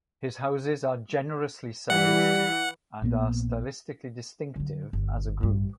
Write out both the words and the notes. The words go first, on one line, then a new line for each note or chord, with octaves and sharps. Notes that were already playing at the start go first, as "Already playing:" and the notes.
His houses are generously sized and are stylistically distinctive as a group.
E3 G3 F#5
A#1 A#2 A#3 B3
D3 F#3
G1
A1 G2